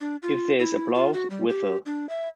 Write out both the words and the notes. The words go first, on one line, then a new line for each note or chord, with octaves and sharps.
If there is applause, whistle.
D4
F4
E4
F4
F#4
G3
G4
D4
E5